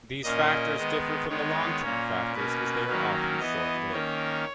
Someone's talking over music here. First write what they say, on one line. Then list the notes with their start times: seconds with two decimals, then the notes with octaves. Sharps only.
These factors differ from the long-term factors as they are often short-lived.
0.24 A#2 A#3 C#4 D#5
0.76 D#3 G#3 B3
1.29 D#3 G#3 B3 C#5
1.82 A#2 A#3 C#4
2.34 B2 A#3 C#4 B4
2.87 D#3 F#3 A#3 C#4
3.40 E3 B3 D#5
3.92 D#3 A#3 C#4 C#5